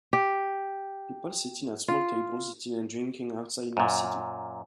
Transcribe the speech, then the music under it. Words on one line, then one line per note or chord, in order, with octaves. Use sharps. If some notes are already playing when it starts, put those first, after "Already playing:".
People sitting at small tables eating and drinking outside in a city.
G4
F4
F#2 A#2